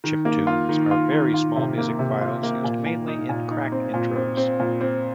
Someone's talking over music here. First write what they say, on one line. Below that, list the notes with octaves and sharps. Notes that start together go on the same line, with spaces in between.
Chiptunes are very small music files used mainly in crack intros.
D#3
A#3
F4
D#3
F4
D#3
F4
C3
A#3
C3
F4
A#3
A#2
A#2
D#4
A#2
D#4
C4
A#2
C4
C4
A#2
C4